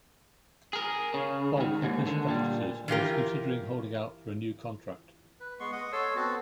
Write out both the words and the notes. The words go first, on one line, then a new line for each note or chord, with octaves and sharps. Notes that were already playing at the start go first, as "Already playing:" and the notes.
Faulk had missed practices and was considering holding out for a new contract.
G#4 A#4
C#3
G#2 D#3
D#2 G#2
D3
A#2 G3
E3 F4 G4 A#4
B4
G#3 B3 C6 C#6
D#5 F#5
A4 C#5 C6 E6
B3 C4 F#4 A4